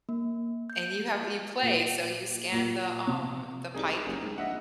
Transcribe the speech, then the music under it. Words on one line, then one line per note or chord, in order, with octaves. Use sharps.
and you have you play, so you scan the, um, the pipe,
A#3
G6
A#2
A#2
C3
C2 G3 D#4 G#4
F#1
G#2
A#1 D#5 E5 F#5